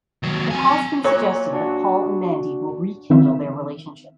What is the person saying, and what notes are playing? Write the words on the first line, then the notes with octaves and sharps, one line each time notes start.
It has been suggested that Paul and Mandy will rekindle their relationship.
D#2 F#3
C4 G#5
A#2 F#3 C#5
D4 F#4 D5
D#3 C4 E5